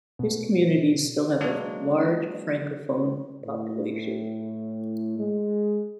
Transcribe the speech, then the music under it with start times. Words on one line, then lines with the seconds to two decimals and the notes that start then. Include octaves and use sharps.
These communities still have a large francophone population.
0.19 B2
1.41 F#3 G#3 A#3 D4 F#4
3.44 A2
5.18 G#3